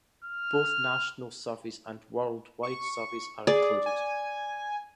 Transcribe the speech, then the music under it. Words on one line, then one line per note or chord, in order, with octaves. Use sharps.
Both national surveys and worldwide surveys are included.
F6
C#6
G#4 D5
G#5